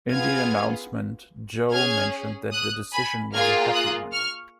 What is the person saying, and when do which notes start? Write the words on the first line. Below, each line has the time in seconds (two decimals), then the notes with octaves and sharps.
In the announcement Joe mentioned that the decision was a happy one.
0.11 B3 F4 G#4 F6 G#6
1.72 C#4 G#4 F6 G#6
2.52 D#6 F#6
2.92 G#5 B5
3.33 A#3 F4 G#4 F6 G#6
3.73 D#6 F#6
4.13 C#6 F6